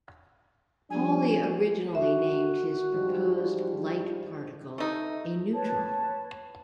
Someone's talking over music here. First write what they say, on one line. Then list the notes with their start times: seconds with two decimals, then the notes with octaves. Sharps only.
Pauli originally named his proposed light particle a "neutron".
0.90 F3 G3 D4 G#5
1.95 F#4 E5
2.92 G#2 F3 G3
4.78 A3 D#4
5.53 B4 C#5 A5